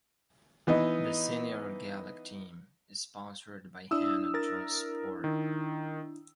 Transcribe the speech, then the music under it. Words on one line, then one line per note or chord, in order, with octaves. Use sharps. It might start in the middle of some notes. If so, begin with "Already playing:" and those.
The Senior Gaelic team is sponsored by Hannon Transport.
E3 B3 D#4
D4 E4 D#6 E6
A#4 A6
D#3